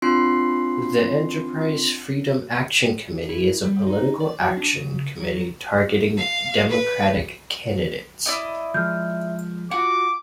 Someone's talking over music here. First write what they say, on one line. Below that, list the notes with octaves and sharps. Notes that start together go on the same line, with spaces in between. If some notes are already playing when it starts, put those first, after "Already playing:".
The Enterprise Freedom Action Committee is a political action committee targeting Democratic candidates.
C4 D4 F4 C6 C7
E4
G3
D#4
D5
F#3
D4
C#3
F#3
F5
B4
E4 D5 D#5
F3 G#3 F6 G6
F4 F#4 F#5 D6